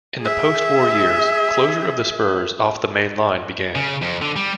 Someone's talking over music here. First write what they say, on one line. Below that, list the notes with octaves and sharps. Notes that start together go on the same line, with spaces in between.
In the post-war years, closure of the spurs off the main line began.
G#4 E5
C#3
F2
D3
G3